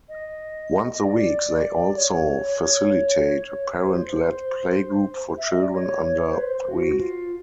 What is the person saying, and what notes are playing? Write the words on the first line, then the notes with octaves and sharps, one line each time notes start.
Once a week they also facilitate a parent-led playgroup for children under three.
D#5
D#5
D5
C#5
C5
E5
D#5
D5
C#5
C#5
C5
B4
C5
F#4
F4